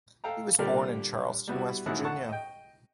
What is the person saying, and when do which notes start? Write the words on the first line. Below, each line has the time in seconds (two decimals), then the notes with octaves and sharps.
He was born in Charleston, West Virginia.
0.24 A4 F5 G5 A#5
0.58 A#2 D3 G3 D4 G4 A#4
1.48 G3 B3 E4 F#4
1.86 G#1 A2 D#3 E4 F#4 F#5
2.04 F#5 A5 C#6
2.29 D#5 G5